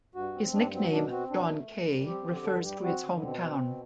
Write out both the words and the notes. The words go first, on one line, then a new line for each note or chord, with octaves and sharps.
His nickname "John Kei" refers to his hometown.
G2 F#4
C4
G2 D4
F#3 C4
B2 D4
C4 F#4
B2 D4
A3
F#2
G3
C4 G4
D3
G4
G2 A4
G3 G4
C4 F#4
D3
B2 C4
C4
B2